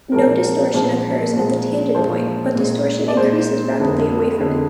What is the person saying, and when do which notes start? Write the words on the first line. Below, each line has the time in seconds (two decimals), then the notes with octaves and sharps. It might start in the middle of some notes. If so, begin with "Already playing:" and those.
No distortion occurs at the tangent point, but distortion increases rapidly away from it.
0.12 A#2 F3 G#3 A#4
0.74 A#2 F3 G#3
1.34 A#2 F3 G#3
1.95 A#2 F3 G#3 C5
2.56 A#2 G#3
3.08 D5
3.16 A#2 G#3 C5
3.77 F2 D3 G#3
4.37 F2 D3 G#3